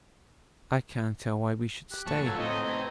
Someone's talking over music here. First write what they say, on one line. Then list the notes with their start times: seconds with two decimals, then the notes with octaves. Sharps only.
'I can't tell why we should stay.
1.91 G4 F#6
2.07 F2 A#2 A3 A5 C#6
2.25 F#3 B3 F4 A4 G#6
2.38 A2 A3 C4 D#4 D#5
2.66 B4 D#5 G#6